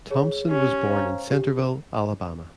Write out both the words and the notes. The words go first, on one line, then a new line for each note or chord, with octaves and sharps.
Thompson was born in Centreville, Alabama.
G#4 C#5
C#4 G4
C5 F5 A#5
G4